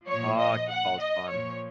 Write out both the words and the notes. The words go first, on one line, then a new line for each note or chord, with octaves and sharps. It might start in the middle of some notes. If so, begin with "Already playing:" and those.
Ah, kickball is fun.
A#2 F3 C#5
D#5
F#5
D#5
A#2 F3 C#5